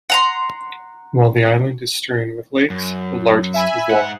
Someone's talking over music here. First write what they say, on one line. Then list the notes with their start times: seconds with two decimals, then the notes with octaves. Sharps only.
While the island is strewn with lakes, the largest is long.
0.10 F#5 A#5 C6
2.70 F#2
3.54 E5 G#5 B5
3.91 G#2 F#5